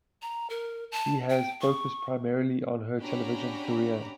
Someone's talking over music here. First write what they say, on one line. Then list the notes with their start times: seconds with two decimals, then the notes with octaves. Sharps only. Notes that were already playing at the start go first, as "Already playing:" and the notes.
She has focused primarily on her television career.
0.22 A#5
0.50 A#4
0.92 A5
1.30 G5
1.61 C#6
3.03 C#4 D4 F#4 G4 A#5 B5